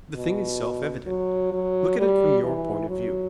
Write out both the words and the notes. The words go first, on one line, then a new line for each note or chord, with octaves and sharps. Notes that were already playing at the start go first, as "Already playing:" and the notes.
The thing is self-evident. Look at it from your point of view.
B2
F#3
F#3
G3
E3
F#3